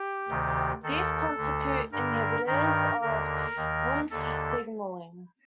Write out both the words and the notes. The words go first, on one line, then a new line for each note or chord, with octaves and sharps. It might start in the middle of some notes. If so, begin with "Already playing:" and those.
These constitute inhibitors of Wnt signaling.
Already playing: G4
D2 C3 D#3
D#2 D#3 A4
D2 D3
G2 D3 A#4
G2 D#3 A#4
D#2 D3 A#4
D#2 D#3
D#2 D3 A4